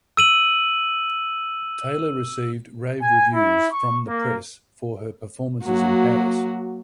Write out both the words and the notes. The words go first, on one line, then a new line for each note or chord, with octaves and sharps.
Taylor received rave reviews from the press for her performances in Paris.
E6 D#7 F#7
G#5
E4
C#6
A#3
F#3 A#3 F#4